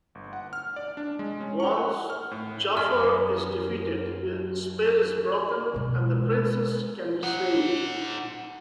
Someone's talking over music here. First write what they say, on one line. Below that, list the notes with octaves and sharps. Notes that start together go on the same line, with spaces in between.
Once Jaffar is defeated, his spell is broken and the Princess can be saved.
G1
F#5
F6
D5
D4
G#3
C#4
C#6
F#5
F6
A2
F#2 F6
B2 G#3
D#4 F#5